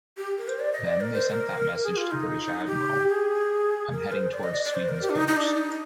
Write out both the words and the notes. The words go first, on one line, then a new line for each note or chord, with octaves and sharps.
Then, they sent that message to British admiral: “I’m heading towards Sweden’s coast”.
G4
A#4
C5
D5
D#5
D5
A#4
C5
A#4
G#4
F4
D#4
G4
G#4
A#4
C5
D5
D#5
D5
D5
C5
A#4
G4
D4
D#4
D#4
D4
D#4